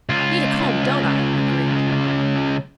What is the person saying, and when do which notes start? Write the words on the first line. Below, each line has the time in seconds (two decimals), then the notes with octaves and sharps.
"Need a comb, don't I?" he grinned.
0.09 C#2 F4